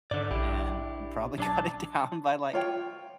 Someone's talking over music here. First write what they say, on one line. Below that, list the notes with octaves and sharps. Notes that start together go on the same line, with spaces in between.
and probably cut it down by, like,
G#2 D3 D5
A#1 D4 E4 G4
B1 F#3 D4 A5
F4 C#5 G5